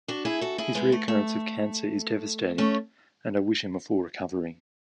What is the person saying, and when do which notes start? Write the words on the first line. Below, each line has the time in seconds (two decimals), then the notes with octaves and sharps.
His reoccurrence of cancer is devastating and I wish him a full recovery.
0.08 D4 F#4
0.25 E4 G#4
0.41 F#4 A4
0.58 E4 G#4
0.75 G#3 B3
0.92 A3
1.08 A3
2.58 A3 C#4